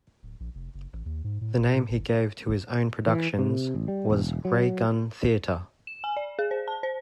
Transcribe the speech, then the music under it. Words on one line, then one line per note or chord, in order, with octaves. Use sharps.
The name he gave to his own productions was "Ray Gun Theater".
D1
A#1
F1
F#1
A1
D#2
G#2
A2
E1
A#2
G1
E3
C3
A1
G3
E1
F#3
E7
G#5
D5
G#4
C5
A5
C5